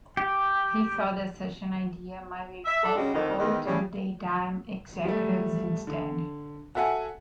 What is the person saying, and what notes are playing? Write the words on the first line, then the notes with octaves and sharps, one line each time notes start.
He thought that such an idea might be palatable to the Daytime executives instead.
G4
E5
D4 A4
C#3 G3 G#3 F#4
F2 D3 D#3
E2 G#2 D#3
A2 C#3 G3
G3 A3
D3
F#4 A4 E5 F#5 G#5